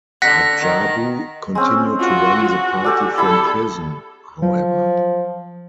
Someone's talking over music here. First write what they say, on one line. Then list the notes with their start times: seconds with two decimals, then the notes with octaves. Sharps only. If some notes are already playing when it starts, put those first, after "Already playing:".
Radjabu continued to run the party from prison, however.
0.22 D3 F#5 A#6 B6
0.60 D#3
1.55 G#3 C4 C#4
2.00 F4 F#4
2.49 F#4
2.84 G4 A4 D5
3.18 G3 E4 A4
4.42 F3 F#3